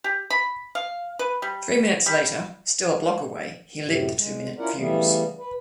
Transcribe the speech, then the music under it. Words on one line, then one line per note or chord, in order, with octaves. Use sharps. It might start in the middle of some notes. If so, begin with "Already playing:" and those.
Three minutes later, still a block away, he lit the two-minute fuse.
G4
B5
F5
B4
G3
G3
F#2 A2 C3
G#3
C#4 E4 F4 A#4 D5 F#5
C#3 E3 G3 A3 B3
B4